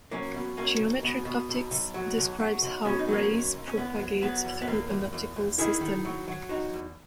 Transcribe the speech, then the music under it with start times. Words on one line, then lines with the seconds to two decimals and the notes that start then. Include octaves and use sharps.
Geometric optics describes how rays propagate through an optical system.
0.11 F#3 A#3 C#4
0.34 B2
0.57 B1 A#3 C#4
0.80 B1
1.03 B2
1.25 B2
1.49 B1
1.71 B1
1.94 F#3
2.18 B1
2.40 F#3
2.62 B1
2.85 B2 C#4
2.99 D#4
3.08 F#3 A#3 C#4
3.31 B1
3.54 B1
3.67 C#4
3.77 E2 B3
3.99 F#3
4.22 F#3 B3
4.45 E2
4.62 B3
4.68 E2 A#3
4.90 E2
5.13 E2
5.36 E2
5.58 D#3 E4 G#4
5.81 D#3
6.05 F#3
6.28 F#3
6.49 E2 D#4 F#4
6.73 E2